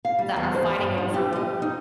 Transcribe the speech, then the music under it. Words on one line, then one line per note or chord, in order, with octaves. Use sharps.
that are fighting over,
F5
G3
E2
C5
G2
D4
G4
D#5
D#4